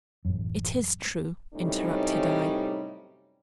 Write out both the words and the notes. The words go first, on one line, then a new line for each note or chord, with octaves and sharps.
'It is true,' interrupted I.
A1 F#2
F#2 A2 C3 G3 C#4 D#4